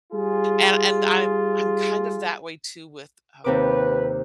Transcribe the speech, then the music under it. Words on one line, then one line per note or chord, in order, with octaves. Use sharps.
and and I'm I'm kind of that way too with, uh,
G3 F4 G#4
D#2 C3 B4 D6